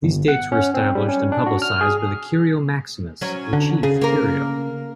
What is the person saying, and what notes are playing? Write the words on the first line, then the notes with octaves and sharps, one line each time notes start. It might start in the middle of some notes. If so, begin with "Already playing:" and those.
These dates were established and publicized by the "curio maximus", the chief "curio".
G1
F#5
C#4
C4
G3
C#4
D4
F#4
F6
G#4
F#3 C#4
D3
C#3 G#4
A#3 A#4